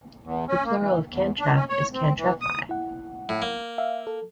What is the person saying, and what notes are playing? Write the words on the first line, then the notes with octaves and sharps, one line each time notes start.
The plural of "cantref" is "cantrefi".
E2
C#4
A#3
E3
E2
D4
C#4
C#5
C4
E3
D#6
E4 F#5
A2
A#3
E5 F5
A4